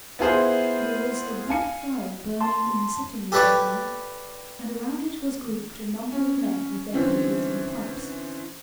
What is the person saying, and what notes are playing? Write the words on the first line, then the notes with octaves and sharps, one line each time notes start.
There was a wood-fire burning in the sitting-room that night, and around it was grouped a number of men with their papers and pipes.
B3 E4 F4 G#4 C5
F5 G#5 C#7
A5 C6
G4 A4 B4 C#5 D5 G5
C#4
D3 E3 C4 C#4